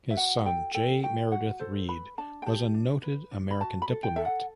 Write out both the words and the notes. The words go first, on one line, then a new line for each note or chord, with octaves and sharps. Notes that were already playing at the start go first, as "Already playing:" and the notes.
His son, J. Meredith Read, was a noted American diplomat.
E5
F#4 F#5
A4 G5
A4 G5
F#4 G5
F#4 F#5
A4 C5
B4 B5
D4 A5
G5
G4 A5
D4
B4
D4
B5
F#4 A5
B5
A4
G5
A4 E5
F#5